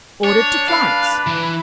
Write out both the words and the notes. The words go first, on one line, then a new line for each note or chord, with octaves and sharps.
Ordered to Florence.
D4 C#5
B4 F5
E3